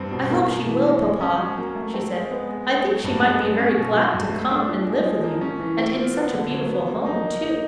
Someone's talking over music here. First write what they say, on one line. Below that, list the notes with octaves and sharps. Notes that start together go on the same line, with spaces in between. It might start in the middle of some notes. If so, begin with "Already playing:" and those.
"I hope she will, papa," she said; "I think she might be very glad to come and live with you; and in such a beautiful home, too."
Already playing: G2 C4
B2
A#3
B2
E3
G#3
G#3
C#4
F#3
A#3
A3
C4
G#3
B3
G#3
B3
F#3
G2
G#3
B3
C#4
B2
F#3
G2
A3
D4
F3
G#3
F3
A#3
C#4
E3
C4
F4
B3
D3
F#3
B3
A#3
D#4
A#3
D#4